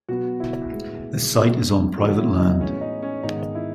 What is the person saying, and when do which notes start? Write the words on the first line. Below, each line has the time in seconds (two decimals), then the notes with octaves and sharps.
This site is on private land.
0.09 B2 F#3 B3 F#4
0.40 E4
0.71 A2 G#3 B3
1.35 C#3 F#3 B3
1.97 C#3 E3 A3 C#4 F#4
2.19 E4
2.39 D#4
2.61 A2 G#3 B3 C#4
2.81 D#4
3.02 C#4
3.23 G#2 D#3 G#3 B3 D#4
3.55 E4